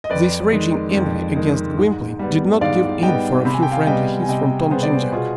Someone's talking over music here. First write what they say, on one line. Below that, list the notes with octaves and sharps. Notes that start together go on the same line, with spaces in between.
This raging envy against Gwynplaine did not give in for a few friendly hits from Tom-Jim-Jack.
D#5
F2 B4 D5
D#3 G#3
F2
D#3 G#3
G#2
G3 B3
G#2 D5 F5
G3 B3 D#5 G5
C3 B5
G#5
G5
F5 G#5
G3 B3 D#5 G5
G#5
C3 D#5 G5
G3 B3 G#4 C5
D5
C5
B4
B2 F4 G#4